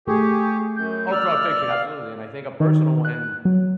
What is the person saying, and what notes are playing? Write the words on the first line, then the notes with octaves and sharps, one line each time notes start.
All throughout fiction, absolutely. And I think a personal one
A3 G4 G#4 C#6
F#2 G6
D5 E6 F6
F5
D#3
F#6
F#3